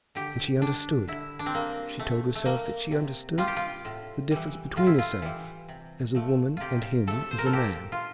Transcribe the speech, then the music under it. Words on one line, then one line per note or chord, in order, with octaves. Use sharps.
And she understood, she told herself that she understood, the difference between herself as a woman and him as a man.
D3 G4
G3 D4
D3 E4
D4
C4
G3 A#3
C3 A3
A3
G3 A#3
C3
G3 F4
G4
F4
A2
E3 G3
A2 F4
E4
F4
E3 G3
C3
F3 A3
C3 F4 G4
F3 A3 A4
C5
A#4
A4
A#2 G4
F4